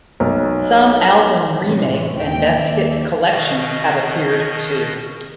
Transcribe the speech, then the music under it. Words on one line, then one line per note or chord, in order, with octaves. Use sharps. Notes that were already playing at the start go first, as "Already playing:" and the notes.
Some album remakes and best-hits collections have appeared too.
B1
E2 A2 C3 E3 G#3 C#4
D#2 D#3 G5
D#2 D5 E5
B2 D#3 D#5